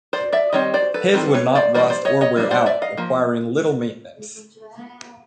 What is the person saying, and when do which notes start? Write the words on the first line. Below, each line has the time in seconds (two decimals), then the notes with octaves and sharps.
His would not rust or wear out, requiring little maintenance.
0.13 C5 D5
0.33 D5 E5
0.53 D#3 G3 C4 C#5 D#5
0.74 C5 D5
0.94 A4 B4
1.13 D#3 G3 C4 A4 B4
1.34 B4 C#5
1.55 C5 D5
1.74 E3 G3 A#3 C5 D5
1.90 C5 D5
2.05 C#5 D#5
2.21 C#5 D#5
2.36 E3 G3 A#3 D4
2.51 C5 D5
2.66 D5 E5
2.82 D#5 F5
2.97 F3 A#3